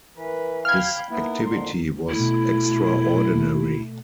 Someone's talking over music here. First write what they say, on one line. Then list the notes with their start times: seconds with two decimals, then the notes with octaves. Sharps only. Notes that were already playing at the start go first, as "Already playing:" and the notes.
His activity was extraordinary.
0.16 E3 A#4 B4
0.65 F5 G5 B5 F6 G#6
1.10 A#3 B3 D#4 E4 A#4
1.47 F2 D3 C6
2.09 B2 A3 E4